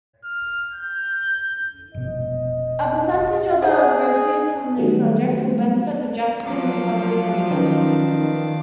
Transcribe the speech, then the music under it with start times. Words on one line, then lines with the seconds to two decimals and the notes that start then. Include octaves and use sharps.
A percentage of the proceeds from this project will benefit the Jackson Recovery Centers.
0.24 F6
0.72 G6
1.94 F1 B2 D#5
3.62 G#4 C5 F#5
4.76 D#3 F#3 G3 A3 B3
6.47 F3 F#3 D4 F4 D6
7.51 D#3 C#4 B4